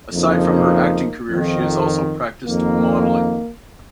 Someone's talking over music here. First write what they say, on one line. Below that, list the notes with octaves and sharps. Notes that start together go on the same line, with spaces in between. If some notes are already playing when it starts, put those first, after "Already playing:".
Aside from her acting career she has also practiced modelling.
F2 C#3 F3 A#3 D#4
F2 D#3
F2 D#3 A#3